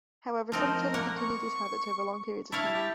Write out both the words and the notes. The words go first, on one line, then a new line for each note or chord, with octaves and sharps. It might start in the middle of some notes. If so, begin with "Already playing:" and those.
However, some children continue these habits over long periods of time.
F3 C4 D#4 A#4
A#3 F#5
C#6
E4 C#5 F5 A5
G4